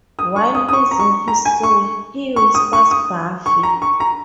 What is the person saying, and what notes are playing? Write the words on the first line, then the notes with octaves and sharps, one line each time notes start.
While losing his soul, he whispers 'Buffy'.
D#6
C#6
D#6
D#6
C#6
A#5
C#6
A#5
G#5
C#6
C#6
D#6
C#6
D#6
C#6
A#5
C#6
A#5